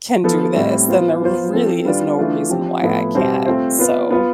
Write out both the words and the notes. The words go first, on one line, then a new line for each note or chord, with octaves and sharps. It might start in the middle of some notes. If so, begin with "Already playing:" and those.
can do this then there really is no reason why I can't, so
F3 B3 F4 A4
A2 G3 C4 E4
B3 F4 C5
F3 B3 F4 C5
F3 C4 F4 A4
G3 D4 F4 B4 D5
E3 A3 D4 F4 B4
F3 C4 G4
A2 F3 B3 E4 A4
B2 G3 C4 G4 C5
A3 C4 F4 C5
B3 F4 B4
B3 F4 B4